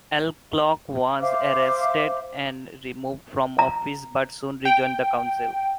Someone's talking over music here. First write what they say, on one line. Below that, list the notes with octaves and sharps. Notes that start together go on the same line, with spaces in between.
Alcock was arrested and removed from office but soon rejoined the Council.
C5 E5 F5 D6
A#5
G5